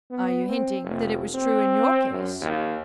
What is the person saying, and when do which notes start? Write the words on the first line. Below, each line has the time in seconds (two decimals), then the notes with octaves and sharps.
"Are you hinting that it was true in your case?"
0.11 B3
0.49 C4
0.83 F1
1.34 C4
2.11 F#2
2.41 D#2